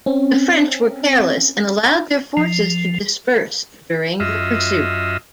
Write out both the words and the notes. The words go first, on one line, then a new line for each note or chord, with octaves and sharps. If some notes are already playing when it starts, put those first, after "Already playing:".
The French were careless and allowed their forces to disperse during the pursuit.
C4 C#4
F3
F#2 F4 D#5 E5